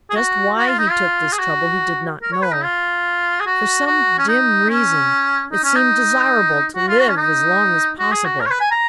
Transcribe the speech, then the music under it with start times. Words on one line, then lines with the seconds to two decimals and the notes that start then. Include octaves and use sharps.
Just why he took this trouble he did not know: for some dim reason it seemed desirable to live as long as possible.
0.10 G#4
0.16 F#4
0.58 F#4
0.68 F4
0.78 D#4
0.90 F4
1.33 G#4
1.39 F#4
2.23 A#4
2.32 C#5
2.42 B4
2.52 D#4
2.63 F4
3.40 G#4
3.46 F#4
3.86 F#4
4.18 C#4
4.28 D#4
4.69 C#4
5.52 D#4
5.64 C#4
5.76 D#4
6.75 F#4
6.88 F4
6.99 F#4
7.08 C#4
7.17 D#4
7.99 F#4
8.12 G#4
8.25 F#4
8.40 A#4
8.46 C#5
8.50 B4
8.60 G#5
8.71 A#5